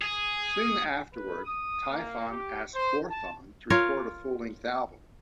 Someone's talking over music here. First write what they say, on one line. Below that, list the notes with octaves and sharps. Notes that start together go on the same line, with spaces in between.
Soon afterward, Tyfon asked Quorthon to record a full-length album.
G#4
B4
D#6
A#3
G4
C5
A5
F4 A#4 C#5